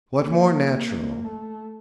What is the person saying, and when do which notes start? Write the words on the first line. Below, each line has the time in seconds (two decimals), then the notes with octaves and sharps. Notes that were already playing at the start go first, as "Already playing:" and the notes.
What more natural!
0.19 A#3
1.24 A3